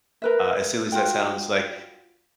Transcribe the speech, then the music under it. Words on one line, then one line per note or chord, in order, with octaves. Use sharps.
Uh, as silly as that sounds like,
A#4 B4 E5
F4 F#4 G5